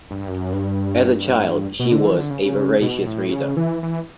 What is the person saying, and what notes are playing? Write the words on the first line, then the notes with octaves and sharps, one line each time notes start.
As a child, she was a voracious reader.
G2
F#2
G2
B2
D3
E3
D3
C#3
B2
A2
C#3
E3
E3